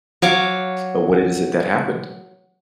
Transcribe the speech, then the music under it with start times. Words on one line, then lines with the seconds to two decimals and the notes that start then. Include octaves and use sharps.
But what it is that happened?
0.22 F#3 C#5 F5 D6